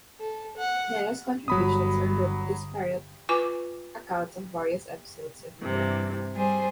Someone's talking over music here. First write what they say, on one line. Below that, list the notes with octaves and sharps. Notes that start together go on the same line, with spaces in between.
Nena's contributions are her disparate accounts of various episodes in her life.
A4
F#5
G1 F#3 B5 D#6
F4 B4 G#5 C#6 D6
G2 C3 E3
G3 G#4 C5